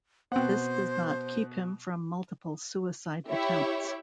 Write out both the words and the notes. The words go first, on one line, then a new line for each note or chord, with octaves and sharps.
This does not keep him from multiple suicide attempts.
B2 B3 C4 C5 F#5
E4 G4 C#5 E5